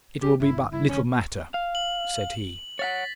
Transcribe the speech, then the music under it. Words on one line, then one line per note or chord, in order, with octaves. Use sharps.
'It will be but little matter,' said he.
G2 C4 D#4 G4
G1 D4 E4
G2 C#3 E4
D3 F#3 C#4
F5
F#7
C#5 F5 F#5 A6 B6